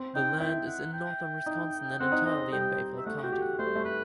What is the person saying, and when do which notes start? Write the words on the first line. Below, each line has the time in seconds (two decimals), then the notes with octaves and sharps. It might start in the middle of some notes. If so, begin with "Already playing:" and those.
The land is in northern Wisconsin and entirely in Bayfield County.
Already playing: C4
0.15 D#4 G5
0.40 E4 G5
0.67 F#5
0.93 G5
1.46 D#4
2.00 C4 F#5
2.12 D#4
2.25 C4 D#5
2.53 G3 G5
2.98 E5
3.06 A3 F#5
3.23 F#4 G5
3.32 G4
3.41 F#5
3.59 A3 C5
3.67 G3
3.75 A3
3.85 B4